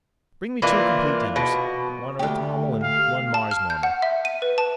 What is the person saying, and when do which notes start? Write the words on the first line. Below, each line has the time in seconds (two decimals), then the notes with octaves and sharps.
"Bring me two complete dinners--one Earth-normal and one Mars-normal."
0.62 E3 A#3 D4 F4
1.36 B2
2.19 D2 G4
2.83 F5
3.34 A5
3.51 F6
3.70 G6
3.83 F#5
4.02 E5
4.25 D#7
4.42 B4
4.58 A5